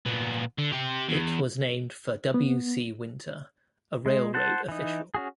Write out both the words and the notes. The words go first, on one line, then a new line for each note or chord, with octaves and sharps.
It was named for W. C. Winter, a railroad official.
A#2 B3
D3
G4 C6
E2
B3
G#3
C5 F#5 A5
E3 D#4
C#4 F#4 G#4